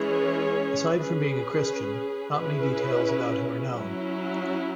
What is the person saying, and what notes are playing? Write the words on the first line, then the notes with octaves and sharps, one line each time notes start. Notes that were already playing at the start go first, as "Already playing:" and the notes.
Aside from being a Christian, not many details about him are known.
Already playing: E3 G#3 C#4 G#4 C#5
C#4 G#4 B4
C#4 E4 G#4 B4
F#3 C#4 E4